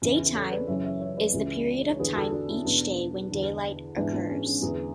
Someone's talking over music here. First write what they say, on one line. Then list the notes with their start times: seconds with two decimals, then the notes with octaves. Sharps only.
"Daytime" is the period of time each day when daylight occurs.
0.02 E2 C#3 E3 C#4
0.18 C#4 E4
0.35 A4 C#5
0.51 B4 D5
0.67 F#2 C#3 E3 C#5 E5
0.84 C#5 E5
1.01 C#5 E5
1.17 B4 D5
1.34 C#2 C#3 E3
1.90 C#5
1.99 E2 D3 G#4 B4
2.16 F#4 A4
2.32 D4 F#4
2.48 C#4 E4
2.65 E2 B2 B3 D4
3.31 E2 D3
3.97 G#2 E3 B3 D4
4.13 B3 D4
4.29 C#4
4.46 C#4
4.62 E2 D3 G#4 B4